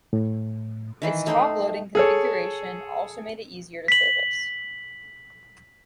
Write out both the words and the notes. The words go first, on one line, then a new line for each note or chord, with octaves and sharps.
Its top loading configuration also made it easier to service.
A2
D#3 E3 C6
A3 D#4 G5 C6
G#4 A4 C#5
B6 F#7